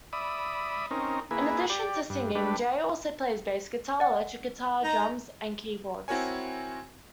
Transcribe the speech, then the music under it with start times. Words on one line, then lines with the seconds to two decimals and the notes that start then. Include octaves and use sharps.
In addition to singing, Jey also plays bass guitar, electric guitar, drums and keyboards.
0.13 D5 E5 B5 D#6
0.91 C4 C#4 D#4 A#4
1.31 A#3 E4 G#4 B4
1.70 G4 D5
2.10 G2
2.35 G3 A3 D4 B4
4.00 D5 F#5
4.83 D#4 A#5
6.08 C4 E4 F#4 A#4 C#5 G#5